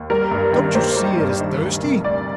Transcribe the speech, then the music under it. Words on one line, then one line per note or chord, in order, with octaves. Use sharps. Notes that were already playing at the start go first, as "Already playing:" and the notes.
Don't you see it is thirsty?
Already playing: D#2
G3 A#4
G2
D#3
A#3 C5
G3
G2
D#3
D2
C3
D2 D5